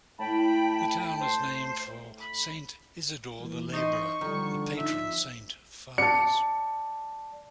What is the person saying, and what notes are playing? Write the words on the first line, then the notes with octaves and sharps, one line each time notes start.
The town is named for Saint Isidore the Laborer, the patron saint of farmers.
A2 G5 A5 B5
C5
B5
E3 A#3
D#4 C5 D#5 C#6
D3 D#3 F3 G3
F3 D#4 E5
D5 A5 C#7